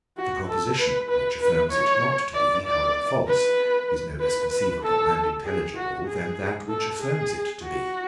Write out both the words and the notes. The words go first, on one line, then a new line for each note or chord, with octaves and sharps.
The proposition, which affirms it not to be, however false, is no less conceivable and intelligible, than that which affirms it to be.
F#4
A4
B4
B4
B4
C#5
D5
D5
B4
B4
B4
A4
G#4
F#4
G#4
A4
G#4
F#4